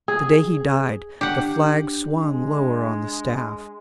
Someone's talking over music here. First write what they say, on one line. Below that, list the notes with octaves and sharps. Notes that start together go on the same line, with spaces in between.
The day he died, the flag swung lower on the staff.
G#4
D4 G4 F#5
G#3